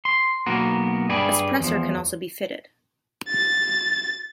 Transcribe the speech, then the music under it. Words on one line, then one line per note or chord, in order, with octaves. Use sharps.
A suppressor can also be fitted.
C6
B1 A#3 B3 F#4 A#4
G2 G3 G4 G#4 B4 D5
E2 F3
A6